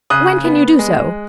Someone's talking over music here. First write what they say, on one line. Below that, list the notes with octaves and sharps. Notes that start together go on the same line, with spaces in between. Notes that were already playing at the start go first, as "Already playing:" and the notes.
"When can you do so?"
C#3 D#6 F#6
B3
G#3